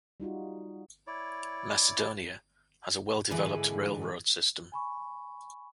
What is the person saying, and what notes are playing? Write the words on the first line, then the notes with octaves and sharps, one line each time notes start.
Macedonia has a well-developed railroad system.
G3 D#4 F4 F#4
E4 C#5 D5
G#2 D3 E3 G#4 B4
G#5 B5 C#6